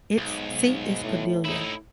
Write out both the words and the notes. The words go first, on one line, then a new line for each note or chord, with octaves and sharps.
Its seat is Padilla.
B1 G#2
A2
A2 D#4 E4